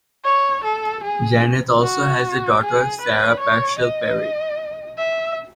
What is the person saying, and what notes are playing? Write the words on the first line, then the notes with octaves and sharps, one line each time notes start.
Janet also has a daughter, Sarah Parshall Perry.
C#5
A4
G#4
F#4
G#4
B4
C#5
D#5
E5